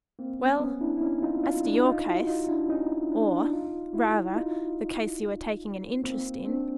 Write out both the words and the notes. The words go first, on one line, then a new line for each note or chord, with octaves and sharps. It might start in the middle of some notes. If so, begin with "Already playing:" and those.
Well, as to your case, or, rather, the case you are taking an interest in.
A#3 C4
B3 C#4
B3 C#4
D4 E4
E4
C#4 D#4
D#4 F4
D#4 F4
D4 E4
D#4 F4
E4 F#4
D#4 F4
D4 E4
C#4 D#4
D4 E4
D4 E4
D#4 F4
E4 F#4
D#4 F4
A#3 C4
C4 D4